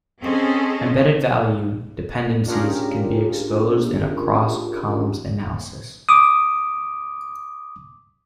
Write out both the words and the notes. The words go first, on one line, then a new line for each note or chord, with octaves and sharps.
Embedded value dependencies can be exposed in a cross-columns analysis.
C4 C#4 G#4 A4 D#5
C#4 D4 F4 G4 G#4 A#4
D6 D#6